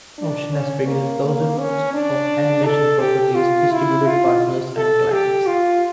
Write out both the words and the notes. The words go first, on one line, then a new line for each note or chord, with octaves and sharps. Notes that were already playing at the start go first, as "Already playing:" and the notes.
Ocean has produced thousands of animation properties distributed partners and clients.
D4
C#4
A#3
A#3
C#4
D4
A4
G4
F4
E4
F4
A4
G4
F4